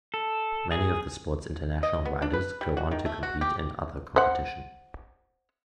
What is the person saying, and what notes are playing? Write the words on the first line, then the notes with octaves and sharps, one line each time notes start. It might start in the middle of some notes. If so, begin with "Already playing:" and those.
Many of the sport's international riders go on to compete in other competition.
A4
G#4
D#5
B3
D4
B4
G3
F#4
D#3
A3
F#4
G4
C5 F#5